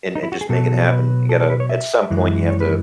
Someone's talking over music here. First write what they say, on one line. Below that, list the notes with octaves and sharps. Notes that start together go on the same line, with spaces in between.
and and just make it happen. You gotta at some point, you have to
D#4
E4
F#4
G#4
B2 F#3 A4
B4
A4
A4
B4
C#5
E5
F#2 E3 G#3
C#5
B4